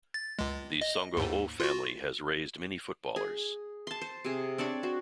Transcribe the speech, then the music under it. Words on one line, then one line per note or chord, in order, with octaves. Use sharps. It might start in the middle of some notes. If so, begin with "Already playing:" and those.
The Songo'o family has raised many footballers.
A6
C#2 G#3
D#5
D#2 G#2
F4 F#4
G#4
A5 C6
C5
C3 G#4
C4 D4 C#5 D5
F#4 C5